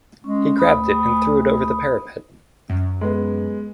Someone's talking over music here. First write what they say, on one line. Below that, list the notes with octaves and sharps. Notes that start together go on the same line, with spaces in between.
He grabbed it and threw it over the parapet.
G#3 C#4
D2 B5 D#6
F#2
G#3 B3